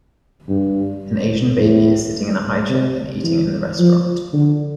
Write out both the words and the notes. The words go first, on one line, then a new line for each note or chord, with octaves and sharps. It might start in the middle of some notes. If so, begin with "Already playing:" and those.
An Asian baby is sitting in a highchair and eating in the restaurant.
G2
A2
C3
E3
F3
D3